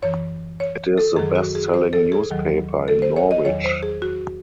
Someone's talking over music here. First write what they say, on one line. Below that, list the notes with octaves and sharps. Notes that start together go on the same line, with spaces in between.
It is the best-selling newspaper in Norwich.
F#2 E3 C#5
C#5
A4
F#2 D#3 F#3 G#4
F#4
G#4
C5
A4
G#4
D#2 D#3 F#3
A4
C5
C#5
D#5
E2 D#3 F#3 C#5
C5
G#4
F#4